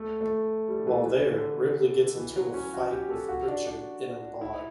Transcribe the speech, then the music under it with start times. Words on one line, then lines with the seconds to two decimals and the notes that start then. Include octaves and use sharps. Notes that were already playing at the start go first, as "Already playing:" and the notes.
While there, Ripley gets into a fight with Pritchard in a bar.
Already playing: A3
0.21 A3
0.68 G3
0.87 E3
1.05 E3
1.33 D3
2.17 E3
2.36 F#3
2.54 C#4
2.74 F#4
2.91 G4
3.11 A4
3.29 F#4
3.48 D4
3.67 D4
4.41 E4